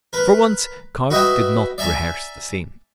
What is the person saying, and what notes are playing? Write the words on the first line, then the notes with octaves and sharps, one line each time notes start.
For once Kauf did not rehearse the scene.
A#4 B4
F#4 B4 D#5 E5 G5
D5 E5 G#5 A#5